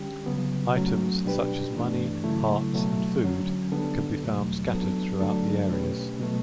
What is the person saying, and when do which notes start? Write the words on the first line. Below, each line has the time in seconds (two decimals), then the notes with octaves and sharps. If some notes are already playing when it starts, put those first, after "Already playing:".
Items such as money, hearts, and food can be found scattered throughout the areas.
Already playing: D3 G3 C#4 G4
0.26 C#3 F#3 B3
0.75 F#3 A3 C#4 F#4
1.25 B2 G3 D4 G4 B4
1.74 G2 E3 A3 D4
2.24 C#3 F#3 A3 E4
2.73 B2 F#3 A3
3.23 D3 F#3 C#4
3.72 D3 G3 B3 D4 A4
4.21 E2 B2 F#3 A3
4.71 F#3 B3 D4 A4
5.20 D3 F#3 A3 D4 A4
5.70 B2 A3 C#4 G4 B4
6.19 B2 F#3 A3